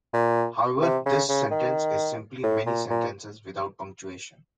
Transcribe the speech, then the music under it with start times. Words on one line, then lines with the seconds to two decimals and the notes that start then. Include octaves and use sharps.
However, this sentence is simply many sentences without punctuation.
0.14 A#2
0.82 C3
1.06 C#3
1.29 C#3
1.51 D#3
2.43 A2
2.66 A#2
2.90 A#2